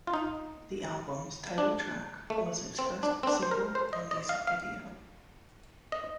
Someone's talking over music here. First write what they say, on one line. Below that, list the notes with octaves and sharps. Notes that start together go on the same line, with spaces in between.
The album's title track was its first single and music video.
F4
D#4
D4
A3
C4
D4
C4
D4
C5
A#4
C5
D#5
D#5
F5
F5
D#5